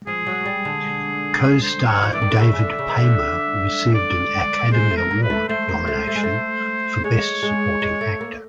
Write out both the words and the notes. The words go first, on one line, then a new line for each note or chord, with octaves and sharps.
Co-star David Paymer received an Academy Award nomination for Best Supporting Actor.
F3 G#4
F#3
G3
D3
C5
C#5
F3
E3 D5
D#3
D3
C#3 E5
C#3
D3
C#3
D#3
D3
D5
G#3 C5
A3
A#4
A#3
B4
A3
A3 C5
A#3
A3
A3
G#3
A3
G#3 C#5
G#3
G#3
A3
A#3